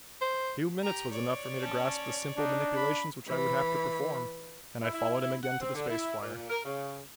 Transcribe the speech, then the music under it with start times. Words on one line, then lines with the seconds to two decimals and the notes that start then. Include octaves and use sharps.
A few minutes was enough for me to grasp the simple manipulations which I would have to perform, and I followed him again to the space flier.
0.21 C5
0.82 G4 A#5
1.12 C#5 D5
1.60 C#4 A5
2.37 D4 D#4
2.75 B5
3.28 E3 B5
4.81 E4
4.93 E4
5.21 E4
5.43 F#5
5.60 C4
5.75 D3
5.90 E4
6.22 A#2
6.50 A#4
6.65 C#3